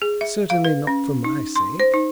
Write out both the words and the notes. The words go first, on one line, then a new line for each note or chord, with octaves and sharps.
"Certainly not for my sake."
G#4
E5
F5
B4
C#4
D#4
C6
C5
D#4